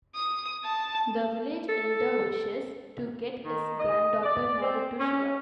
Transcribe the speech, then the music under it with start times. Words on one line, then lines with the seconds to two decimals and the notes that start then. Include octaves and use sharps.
The village elder wishes to get his granddaughter married to Siva.
0.15 D#6
0.64 A5
1.69 A4
3.44 D#3
3.79 D#5
4.23 D5
4.62 C4
4.99 C#4